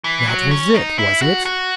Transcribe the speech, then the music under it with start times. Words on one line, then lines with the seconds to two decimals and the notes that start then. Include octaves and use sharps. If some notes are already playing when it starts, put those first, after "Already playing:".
That was it, was it?
0.04 E3
0.28 F#3
0.51 C#4
0.74 D#4
0.98 E4
1.22 F#4
1.46 F#4